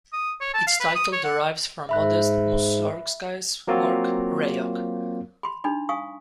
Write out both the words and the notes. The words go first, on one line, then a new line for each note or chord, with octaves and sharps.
Its title derives from Modest Mussorgsky's work "Rayok".
D#6
C#5
A5
F5
B4
D#6
C#5
F#5
G#2 E5 B5 F#6
F#3 A#3 C4 F4 F#4
B5 C6
D4 D#4 B5
F5 G#5 C#6 D#6